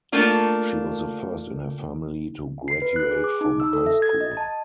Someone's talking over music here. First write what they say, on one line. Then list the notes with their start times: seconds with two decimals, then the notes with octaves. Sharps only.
She was the first in her family to graduate from high school.
0.12 A3 A#3 D4 F4
2.68 C7
2.82 B4
2.96 F#6
3.11 G#4
3.24 D6
3.41 D#4
3.60 E6
3.73 A4
3.86 E5
4.02 G#6
4.21 D#5
4.37 A5